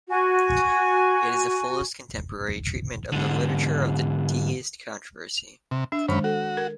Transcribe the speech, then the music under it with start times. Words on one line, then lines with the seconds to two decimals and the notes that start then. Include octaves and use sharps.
It is the fullest contemporary treatment of the literature of the deist controversy.
0.09 F#4 G#5
3.12 G#2 D3
5.71 C3
5.92 D4 E5
6.08 F#2 D#3 G#3 C#4 B5
6.24 F#4 A4
6.57 A#4